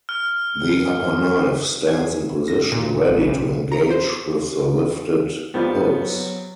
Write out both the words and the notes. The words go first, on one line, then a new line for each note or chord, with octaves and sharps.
The upper knife stands in position ready to engage with the lifted hooks.
F6
G#6
A#6
A#2
A1
B1
A#5
C5
F2 D#3 F3 G3 B3
F#3